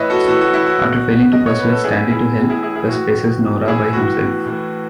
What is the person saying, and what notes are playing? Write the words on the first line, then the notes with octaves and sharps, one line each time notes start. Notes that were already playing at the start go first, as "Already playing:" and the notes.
After failing to persuade Stanley to help, Gus faces Gnorga by himself.
Already playing: A2 E3 B4 C#5 D#5 E5
F#4 A4
A2 E3 F#4 A4
F#4
E4
F#4
B2
B2 D#5
C#5
B4
A4
A2 E3 E4 G#4
E4 G#4
A2 E3
E4 G#4
E4 G#4
E4 G#4
A2 E3 F#4
A2 E3
E4 G#4
A2 E3 F#4
A2 E3